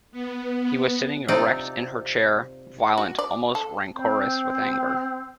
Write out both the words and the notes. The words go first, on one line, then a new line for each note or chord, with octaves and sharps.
He was sitting erect in her chair, violent, almost rancorous with anger.
B3
C3 C4 D#4 F4 D5
F#4
D5
A4
C4